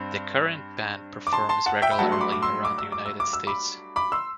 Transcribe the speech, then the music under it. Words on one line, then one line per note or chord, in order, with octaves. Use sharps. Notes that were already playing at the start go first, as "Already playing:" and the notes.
The current band performs regularly around the United States.
Already playing: G2 C4
D6
A5 C6
A5 C6
F#5 A5
E5 G5
B5
G2 F#3 A3 F#5 A5
C6
B5 D6
D6
C6 E6
D6
E6
D6
E6
D6
E6
B5 D6
B5 D6
C6 E6